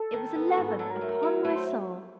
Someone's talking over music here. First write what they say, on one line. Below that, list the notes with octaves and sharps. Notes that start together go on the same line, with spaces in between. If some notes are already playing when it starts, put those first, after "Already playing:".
It was eleven, upon my soul!
Already playing: A4
D#3
B3
G#2
A4
F#3 A4
A#4
A3
F#3
A3 B4
C5